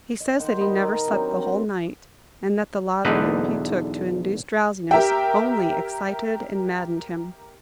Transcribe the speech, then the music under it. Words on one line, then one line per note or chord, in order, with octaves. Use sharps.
He says that he never slept the whole night, and that the laudanum he took to induce drowsiness only excited and maddened him.
D#5
D#3 C5 F#5 D6
B4 D#5 G5 C6
A#4
F#3 C4 D4 G4
C4
B1 E2 D3 D#4 B4
G4 A#4 E5 G5